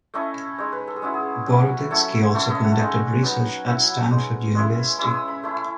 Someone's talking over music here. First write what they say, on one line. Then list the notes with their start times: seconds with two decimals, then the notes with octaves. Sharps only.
Boroditsky also conducted research at Stanford University.
0.14 A3 C#4 E4 D#5
0.58 G#3 D#4 C#5
0.72 B4
0.87 A4
0.96 G#4
1.02 G#3 C#4 E4 F#4
1.14 G#4
1.46 F#3 C#4 E4
1.90 F#3 A3 C#4 E4 A4
2.34 A3 C#4 E4 A4
2.49 D#5
2.64 F#5
2.72 A5
2.79 G#3 D#4 G#5
3.22 F#3 B3 D#4
3.66 F#3 C#4 E4 F#5
4.10 G#3 D#4 D#6
4.55 G#3 C#4 E4
4.99 G#3 C#4 E4 E6
5.14 D#6
5.28 B5
5.43 A3 E4